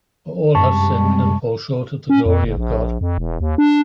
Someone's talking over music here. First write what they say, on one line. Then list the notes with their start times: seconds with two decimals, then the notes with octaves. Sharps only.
For all have sinned and fall short of the glory of God.
0.55 F#2 C3 G3 G#3 A5 C#6
2.10 C#4
2.26 F2
2.44 F#1
2.57 A#1
3.01 F2
3.18 E1
3.41 D#2
3.58 D4